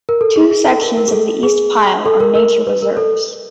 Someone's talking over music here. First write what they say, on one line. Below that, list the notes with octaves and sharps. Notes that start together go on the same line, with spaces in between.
Two sections of the East Pyl are nature reserves.
A#4
A4
G#4
G#4
A4
A#4
A#4
G#4
A4
G#4
A4
A#4
A#4
B4
A#4
A4